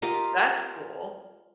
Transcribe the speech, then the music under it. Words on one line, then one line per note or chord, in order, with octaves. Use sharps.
That's cool.
F4 G4 A#4 D#5